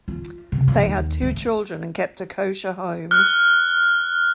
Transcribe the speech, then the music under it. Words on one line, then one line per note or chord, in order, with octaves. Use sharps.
They had two children and kept a kosher home.
F4
C3
F3
D#2
A3
F6 F#6